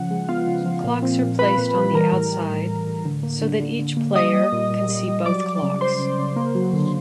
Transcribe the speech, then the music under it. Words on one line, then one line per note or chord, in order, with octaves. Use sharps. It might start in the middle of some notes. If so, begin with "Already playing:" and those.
Clocks are placed on the outside so that each player can see both clocks.
Already playing: C#3 F3 F#5
G#3
B3 F4 F5
C#3
F3
A#2
C4
A#2
C4 B4 B5
A#2
G3
E3 A#4 A#5
A2
G3
A2
A2
A2
D3
A#3
D3
D3
D3
A#3
G3 D#5 D#6
G3
A#2
A#2
G3
G3
F#3 D5 D6
F#3
C#3
C#3 C5 C6
C#3
C#3
A#3
F#3
D3